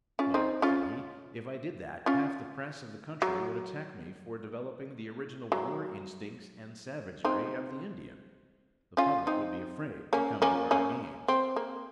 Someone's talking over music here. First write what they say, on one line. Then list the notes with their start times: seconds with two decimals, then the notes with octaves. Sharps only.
"Why," said he, "if I did that, half the press of the country would attack me for developing the original war instincts and savagery of the Indian! The public would be afraid to come to our games!"
0.19 C#4 F4
0.34 C4 D#4
0.62 C#4 F4
2.06 C#4 F4
3.22 F#3
5.52 F#3
7.24 C4 D#4
8.97 C#4 F4
9.27 C4 D#4
10.13 A#3 C#4
10.42 A#3 C#4
10.71 A#3 C#4
11.28 C4
11.56 A#3